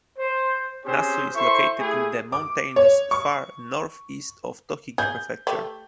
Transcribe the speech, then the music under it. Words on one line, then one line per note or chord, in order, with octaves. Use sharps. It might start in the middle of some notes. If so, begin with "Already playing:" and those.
Nasu is located in the mountainous far northeast of Tochigi Prefecture.
C5
C4 C#4 G4 G#4 C5
E4 A4 C5 E5 C6 C#6
A3 E4 G4 G#4
D6
C#5
C#6
G#4 G6
A3 G4